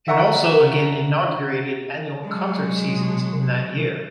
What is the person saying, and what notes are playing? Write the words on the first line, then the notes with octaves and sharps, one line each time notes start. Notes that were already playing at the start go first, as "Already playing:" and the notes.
It also again inaugurated annual concert seasons in that year.
E5 F#5 A#5 C#6
F#3 G#3